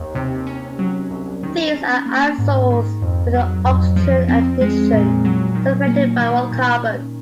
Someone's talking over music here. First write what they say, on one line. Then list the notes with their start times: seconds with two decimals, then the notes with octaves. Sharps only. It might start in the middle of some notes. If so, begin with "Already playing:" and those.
These are azoles with an oxygen and a nitrogen separated by one carbon.
Already playing: D#2
0.15 C3
0.47 C#4
0.79 F#3
1.11 C2
1.43 D#3
1.74 C#4
2.06 A#3
2.38 G#2
2.70 D#3
3.02 F2
3.34 F#3
3.65 F2
3.96 F3
4.28 C4
4.61 G#3
4.93 A#2
5.25 F#3
5.55 D#3
5.87 A#3
6.20 D#3
6.51 A#2
6.83 C#4